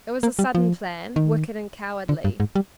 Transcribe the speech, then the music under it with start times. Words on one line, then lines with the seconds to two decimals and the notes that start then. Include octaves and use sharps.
It was a sudden plan, wicked and cowardly.
0.23 A#3
0.39 G3
0.55 F3
1.16 D#3
2.09 D3
2.24 G2
2.40 G#2
2.55 G3